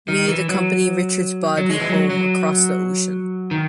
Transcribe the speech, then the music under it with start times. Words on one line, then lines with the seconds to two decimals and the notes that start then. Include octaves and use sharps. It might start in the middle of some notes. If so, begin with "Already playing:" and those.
Mead accompanied Richards's body home across the ocean.
0.08 D#3
0.29 E3
0.49 F#3
1.58 F#3
1.70 G#3
1.80 E3
1.89 F#3
2.10 F#3
3.51 D#3